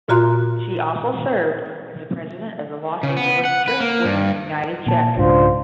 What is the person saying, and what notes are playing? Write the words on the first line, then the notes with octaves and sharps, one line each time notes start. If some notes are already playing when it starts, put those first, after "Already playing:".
She also served as the president of the Los Angeles Church Women United chapter.
A#2 F4 F#4 A#5 C6 F#6
C#3
B3
F#5
B4
A#3
G2
A#2 A5
C2 G#2 C#3 D4 F4 C5